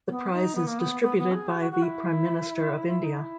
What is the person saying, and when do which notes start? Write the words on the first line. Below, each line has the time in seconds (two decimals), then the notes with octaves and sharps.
The prize is distributed by the Prime Minister of India.
0.09 B3
0.32 D#4
0.55 B3
0.67 A#3
0.79 B3
1.01 B3
1.17 B3
1.32 G#4
1.48 F#4
1.60 F#4
1.71 F#4
1.82 E4
2.87 E4
3.03 D#4
3.18 E4